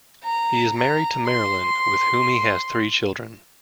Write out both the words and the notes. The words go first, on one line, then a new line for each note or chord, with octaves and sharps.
He is married to Marilyn, with whom he has three children.
A#5
A#5
C6